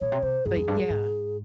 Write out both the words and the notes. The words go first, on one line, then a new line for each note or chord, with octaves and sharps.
but yeah,
A#2 C#5
C3
C3 C5
G2 G#4
F2
G2
G2
G#2